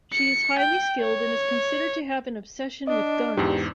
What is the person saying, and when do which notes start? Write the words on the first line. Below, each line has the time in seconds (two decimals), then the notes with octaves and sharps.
She is highly skilled and is considered to have an obsession with guns.
0.13 C#7
0.59 G5
1.01 C#5
2.87 D4 D#5
3.37 E2 G#2 G4